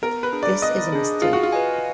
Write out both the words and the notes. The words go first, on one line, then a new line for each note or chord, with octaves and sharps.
This is a mistake.
B3 A#4
B4
D4 G#4
D5
B3 D#5
D4 G#4
F4 G#4
F#4
F4
B4 D#5 G#5